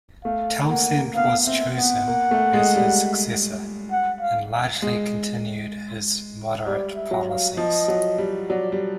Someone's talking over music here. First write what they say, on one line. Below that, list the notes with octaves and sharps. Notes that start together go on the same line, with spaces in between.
Townsend was chosen as his successor, and largely continued his moderate policies.
A3 F5
A#3 F#5
B3 F5
C4 E5
B3 F#5
A#3
A3
G#3
G3
F#5
F5
G#3
G3 D5
E5
F#3
F5
F3 D#5
F#3
G3
F#3 D5
G3